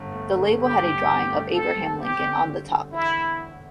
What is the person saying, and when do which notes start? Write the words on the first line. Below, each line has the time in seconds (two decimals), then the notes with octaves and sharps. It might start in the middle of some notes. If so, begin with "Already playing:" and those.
The label had a drawing of Abraham Lincoln on the top.
Already playing: G1 G2
0.12 A3
0.35 D3
0.58 D3 G4
0.82 G2
1.05 D3
1.28 A3
1.51 C4 A4
1.76 G3
1.98 C4 G4
2.22 D3
2.45 G3
2.68 D3
2.92 E2 E4